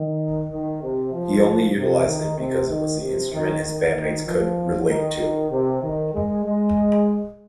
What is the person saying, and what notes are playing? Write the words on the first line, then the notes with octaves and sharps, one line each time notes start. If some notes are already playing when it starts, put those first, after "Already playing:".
He only utilized it because it was the instrument his bandmates could "relate to".
Already playing: D#3
D#3
C3
F3
C3
D#3
C3
D#3
C3
D#3
D#3
D#3
F3
D#3
D#3
C3
D#3
G#3
G#3